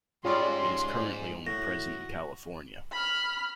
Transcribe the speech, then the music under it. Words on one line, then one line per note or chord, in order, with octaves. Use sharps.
It is currently only present in California.
G#2 G3 G#3 C#4 F4 G#4 D5 C6
A2 F#4 A#6
B5 F6